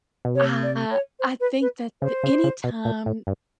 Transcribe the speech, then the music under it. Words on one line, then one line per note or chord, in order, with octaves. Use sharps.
I I think that the anytime
B2
C3 C#5
D5
C#5
C5
B4
B4
C#3 C5
C#3
C#3
B2
A#2
A2
G2